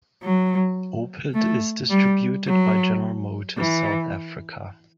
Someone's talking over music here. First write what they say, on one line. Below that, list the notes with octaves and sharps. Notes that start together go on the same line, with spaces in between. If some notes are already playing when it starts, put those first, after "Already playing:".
Opel is distributed by General Motors South Africa.
F#3
A3
G3
F#3
E3